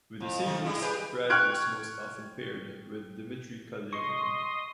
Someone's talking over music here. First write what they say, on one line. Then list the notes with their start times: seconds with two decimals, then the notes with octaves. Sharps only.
With the Sabres, Pratt was most often paired with Dmitri Kalinin.
0.21 F2
0.46 D#3 F3 A3
0.65 G3 G#3 E4
0.82 G4 G#4 B4
1.30 G5 C#6 F6 F#6 G#6 D7
3.93 D#5 C6 C#6 D#6